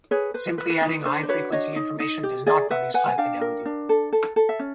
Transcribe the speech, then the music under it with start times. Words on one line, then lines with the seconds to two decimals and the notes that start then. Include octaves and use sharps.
Simply adding high frequency information does not produce high fidelity.
0.11 G#4 B4 C#5
0.34 B4 C5
0.58 B4
0.70 B4
0.82 D#4
1.05 D4 C5
1.23 C5
1.29 F#4 B4 C#5
1.52 D4 C#5 D#5
1.76 D#4
2.00 D#4
2.23 G4
2.46 G#4 D5 E5
2.70 B4 E5 F#5
2.94 B4 F#5 G#5
3.07 G#5
3.18 D4 F5 G5
3.41 A#4
3.65 D4
3.89 A4
4.12 A4
4.36 A4
4.49 E5
4.59 C#4